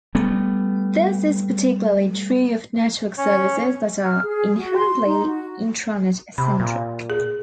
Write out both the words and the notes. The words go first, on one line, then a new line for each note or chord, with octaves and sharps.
This is particularly true of network services that are inherently intranet-centric.
G3 A3 B3
C#4 C#5
F6
G#4
F#4
C6
D#4
F#4
C3 B5
A#2
G#4